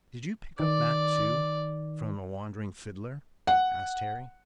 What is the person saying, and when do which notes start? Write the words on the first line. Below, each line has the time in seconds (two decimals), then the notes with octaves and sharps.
"Did you pick up that, too, from a wandering fiddler?" asked Harry.
0.60 D#3 D5
3.47 F#5